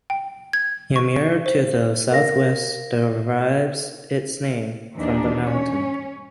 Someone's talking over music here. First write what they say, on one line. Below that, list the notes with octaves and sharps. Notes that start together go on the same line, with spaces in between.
Ymir to the southwest derives its name from the mountain.
G5
G#6
C#6
C5
A#4 F5 A#6
D#2 E3 C4 D4 D#4
C#4 C#5